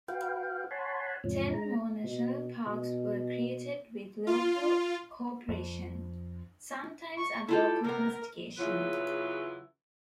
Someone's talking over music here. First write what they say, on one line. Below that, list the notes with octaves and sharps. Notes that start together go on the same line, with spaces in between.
Ten more national parks were created with local co-operation, sometimes at local instigation.
F#4 B4 F5 G5
C#5 F#5 G#5 A5 B5 C6
E2 G#2 C3 F3 C#4
G#3 A#5
B2
B2
F4
F2
C#6
E4 F4 G4 A4
C3 B3 A#4
E2 C#3 E3 F#3 F4 B4